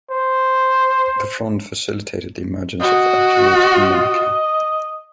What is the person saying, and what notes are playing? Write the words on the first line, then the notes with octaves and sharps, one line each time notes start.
The Fronde facilitated the emergence of absolute monarchy.
C5
F#4 D#5